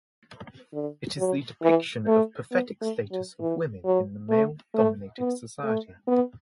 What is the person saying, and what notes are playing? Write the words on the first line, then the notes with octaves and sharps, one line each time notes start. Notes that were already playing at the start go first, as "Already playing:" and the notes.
It is the depiction of pathetic status of women in the male dominated society.
D3
F#3
E3
A3
B3
A3
F#3
E3
F#3
A3
A3
B3
A3
B3